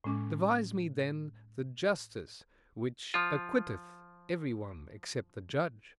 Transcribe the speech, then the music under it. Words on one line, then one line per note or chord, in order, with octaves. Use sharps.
Devise me, then, the justice which acquitteth every one except the judge!
A2 G#3 C#4 D6
F3 F4